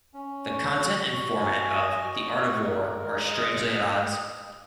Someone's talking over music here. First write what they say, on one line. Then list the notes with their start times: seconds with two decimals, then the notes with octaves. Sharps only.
The content and format of "The Art of War" are strangely at odds.
0.14 C#4
0.45 C#5
0.77 F#4
1.08 F#4
1.39 G#5
1.70 D#5
2.01 F#4
2.34 F#5
2.65 A#4
2.96 G#3
3.27 D#5